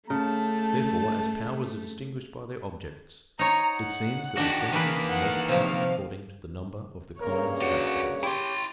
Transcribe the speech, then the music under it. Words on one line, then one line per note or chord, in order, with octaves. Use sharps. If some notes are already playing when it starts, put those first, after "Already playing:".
Therefore, as powers are distinguished by their objects, it seems that the senses are multiplied according to the number of the kinds of accidents.
C#3 A3 A5
D#4 C#5 A#5
F#5
D#3 D4 F#4 G4
D#3 E3 A#3 B4
F#5
C3 F3 F5
G2 C#3 A#3 A#4 C#5
F#4 G4 F#5
E4 G4 C6